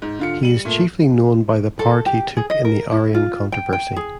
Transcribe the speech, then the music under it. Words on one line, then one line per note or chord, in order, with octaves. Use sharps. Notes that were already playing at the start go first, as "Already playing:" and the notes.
He is chiefly known by the part he took in the Arian controversy.
G#2
D3 F4 C#7
G3 D#7 F#7
A#2 A3
A4
G4
G#4
D#5
A#4
E4
F4
G5
G5
G#4